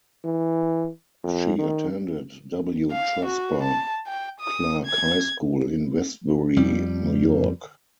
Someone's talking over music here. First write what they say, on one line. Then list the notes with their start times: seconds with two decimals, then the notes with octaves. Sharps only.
She attended W. Tresper Clarke High School in Westbury, New York.
0.24 E3
1.24 F2
1.59 D#3
2.92 F5
3.26 F#4
3.63 A5
4.07 G5
4.40 D#6
4.86 G#6
6.56 F2 G3